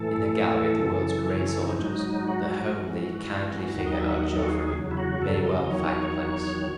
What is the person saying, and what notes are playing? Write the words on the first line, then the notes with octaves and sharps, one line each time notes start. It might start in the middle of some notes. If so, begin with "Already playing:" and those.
In the gallery of the world's great soldiers, the homely, kindly figure of Joffre may well find place.
Already playing: A2 E3 A4
F#2 C#3 E3
C#5
A4
D#4
G#2 F#3 D#4
F#4
F#4
G#2 E3
D#2 D#3 F#3 F#4
D#5
E5
F#5
D#5
A4
F#4
G#4
G#4
E2 C#3 F#3
E4
F#4
A4
D#5
E2 D#3 F#3 C#5